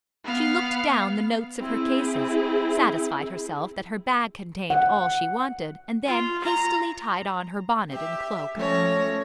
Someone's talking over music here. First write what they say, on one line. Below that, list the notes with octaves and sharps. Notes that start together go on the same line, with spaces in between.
She looked down the notes of her cases, satisfied herself that her bag contained all she wanted, and then hastily tied on her bonnet and cloak.
B3 F5
C4 E4 G#4
F#5
F4
A#5
G4 E5
F3 A3 C#4 C#5 A#6